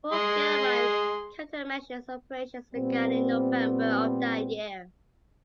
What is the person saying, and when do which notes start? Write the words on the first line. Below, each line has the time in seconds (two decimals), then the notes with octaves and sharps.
Full scale mine countermeasures operations began in November of that year.
0.13 G#3 G#4 C6
2.74 A#2 G3 B3 C4